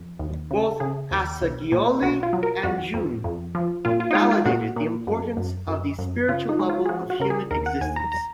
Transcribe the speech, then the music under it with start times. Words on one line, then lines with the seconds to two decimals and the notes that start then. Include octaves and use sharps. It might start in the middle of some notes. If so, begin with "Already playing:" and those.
Both Assagioli and Jung validated the importance of the spiritual level of human existence.
Already playing: F2
0.19 D#2
0.51 C#3
0.80 C#3 G#4
1.11 D#2
1.42 B1
1.72 A#2
2.02 B1 F#4
2.23 F4
2.33 F#3
2.43 A#4
2.63 F2 F#4
2.94 F2
3.24 F2
3.55 F3
3.85 A#2 F4
4.00 F4
4.11 D#4
4.15 G#3 F4
4.31 F4
4.46 A#2 F#4
4.76 A#2
5.07 F#2
5.37 F#2
5.67 F#2
5.99 F#2
6.28 C#3 F4
6.49 D#4
6.59 G#3
6.69 F4
6.86 G#4
6.89 F3 F#4
7.10 F#4
7.20 C#3 A#4
7.30 G#4
7.51 D#2 A#4
7.66 F#5
7.81 D#2 G#5
7.96 A#5
8.12 A#5